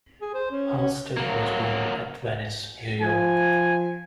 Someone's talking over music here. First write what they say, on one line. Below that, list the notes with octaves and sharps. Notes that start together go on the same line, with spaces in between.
Halsted was born at Venice, New York.
G#4
C5
C#4
C#4
F#3 A#3
F3 G#5